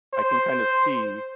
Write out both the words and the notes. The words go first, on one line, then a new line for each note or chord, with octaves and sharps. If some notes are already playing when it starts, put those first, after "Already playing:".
I can kinda see
C5